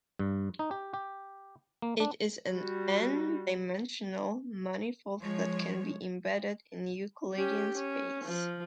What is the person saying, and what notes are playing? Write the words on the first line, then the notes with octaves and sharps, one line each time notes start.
It is an "n"-dimensional manifold that can be embedded in Euclidean -space.
G2
D#4
G4
G4
A#3
D4
G3 F#4
F3 G#3 C#5
C#4 G4
C#4
F3